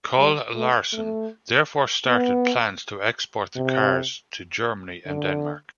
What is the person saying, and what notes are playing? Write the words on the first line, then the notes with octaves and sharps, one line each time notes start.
Kohl-Larsen therefore started plans to export the cars to Germany and Denmark.
G3
A3
A3
B3
C3
D3